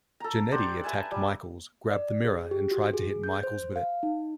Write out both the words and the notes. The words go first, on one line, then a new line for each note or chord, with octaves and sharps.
Jannetty attacked Michaels, grabbed the mirror and tried to hit Michaels with it.
A4 A#5
G4 C5 D5 F#5
B4 E5 G#5 A5
G3
D5
G#4
G4
F#4
G#4
G6
C5
F5
D#4